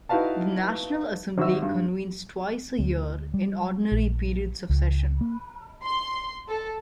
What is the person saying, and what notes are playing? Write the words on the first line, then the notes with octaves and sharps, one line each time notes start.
The National Assembly convenes twice a year in ordinary periods of sessions.
D#4 E4 F#4 B4 F5 A5
G#1 F#4 E5 E6
G2
D2
G3
A#1
C#2
A#3
C6
A4